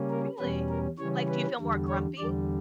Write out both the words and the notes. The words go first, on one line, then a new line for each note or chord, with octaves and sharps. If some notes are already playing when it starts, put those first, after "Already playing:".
Really? Like, do you feel more grumpy?
Already playing: C#3 G3 A#3 C#4
A#4
E2 B2 G3 C#4 B4
A#4
C#3 E3 G3 C#4 C#5
B4
E2 D3 G3
C#5
E2 D3 G3 D5